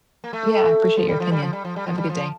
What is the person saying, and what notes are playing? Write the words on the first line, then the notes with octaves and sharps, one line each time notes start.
Yeah, I appreciate your opinion. Have a good day
A#3
A3
F3
G3
F3
G3
F3
G3
F3
G3
F3
G3
F3